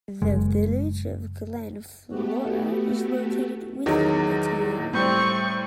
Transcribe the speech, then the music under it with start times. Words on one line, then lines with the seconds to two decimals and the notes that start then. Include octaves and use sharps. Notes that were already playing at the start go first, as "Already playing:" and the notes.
The village of Glen Flora is located within the town.
0.22 F#1 G#3
2.09 A3 B3 F#4 G4
3.86 E2 D#3 F#3 G#4
4.93 A2 G3 C4 C#6 G6